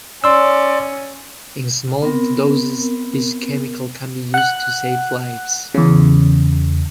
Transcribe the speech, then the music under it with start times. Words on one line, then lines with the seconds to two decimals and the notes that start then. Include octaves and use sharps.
In small doses this chemical can be used to save lives.
0.24 C#4 D5 C6 E6
2.02 B3 C4 A#4
4.34 F#5 F#6
5.74 E2 C#3